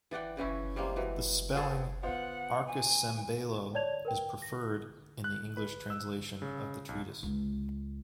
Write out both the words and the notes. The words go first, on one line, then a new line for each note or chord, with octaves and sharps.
The spelling 'archicembalo' is preferred in the English translation of the treatise.
E3 D5 F#5 G5
C#3 E3 C#4 E4
C3 G3 G#3 A#3
B2 E3
B3 C4 G#4 A4
B3 F4 C5 F#5
G#5
C#5 D5 A5 G#6 F7
A#4 B4 G5
A#6
F#6
B4
E6
C#3
B1
C#2